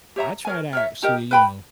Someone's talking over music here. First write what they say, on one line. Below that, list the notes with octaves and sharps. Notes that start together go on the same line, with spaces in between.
I try to actually, you know,
G4 C#5 E5 A#5
A#4 C#5 G#5
A#4 C#5 E5
D#4 G4 A#4 D#5
B4 G5 B5